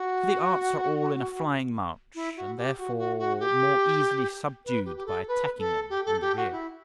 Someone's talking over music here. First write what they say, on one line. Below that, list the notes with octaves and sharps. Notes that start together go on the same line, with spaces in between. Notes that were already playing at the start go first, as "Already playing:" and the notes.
For the arts are all in a flying march, and therefore more easily subdued by attacking them in the rear.
Already playing: F#4
E4
F#4
G4
F#4
F#4
F#4
G4
B4
G4
G4
A4
B4
A4
G4
A4
G4
F#4
E4